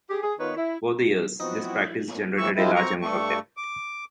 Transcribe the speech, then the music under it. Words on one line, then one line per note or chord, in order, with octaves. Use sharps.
Over the years, this practice generated a large amount of debt.
G4 G#4
G#4
D#3 B3 D#4 F4 B4 C#5
E4
F3 F#3 B3 C4 D#4 E4 F#4
F2 A2 E3 C#6 E6
F3 G#3 C4 E4
C4 A#5 C#6
G2 A3 C#6
D6